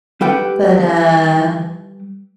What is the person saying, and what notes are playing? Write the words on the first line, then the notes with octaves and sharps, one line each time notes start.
But, uh
G3 G4 A4 B4 F#5 G5